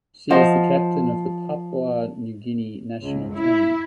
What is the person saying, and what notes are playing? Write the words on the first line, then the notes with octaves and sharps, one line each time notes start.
She is the captain of the Papua New Guinea national team.
F3 C5 D#5 F#5
C#2
E4